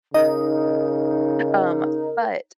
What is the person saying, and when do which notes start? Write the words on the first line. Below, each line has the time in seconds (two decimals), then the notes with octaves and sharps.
um, but,
0.14 C#3 D#4 A#4 D#5